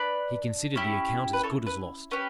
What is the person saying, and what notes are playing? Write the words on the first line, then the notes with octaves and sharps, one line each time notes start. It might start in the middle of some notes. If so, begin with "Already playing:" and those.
He considered the account as good as lost.
Already playing: D4 B4 D5
C#4 E4 G4
B4
A4 C#5
B4
C#4 G4 B4